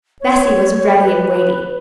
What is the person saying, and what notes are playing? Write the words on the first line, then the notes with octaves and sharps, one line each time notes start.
Bessy was ready and waiting.
C#5
B4